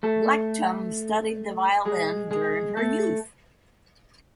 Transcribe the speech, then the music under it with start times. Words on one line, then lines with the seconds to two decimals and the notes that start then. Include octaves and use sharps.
Blectum studied the violin during her youth.
0.03 A3 A4
1.86 G#3 G#4
2.31 G#3 G#4
2.77 A3 A4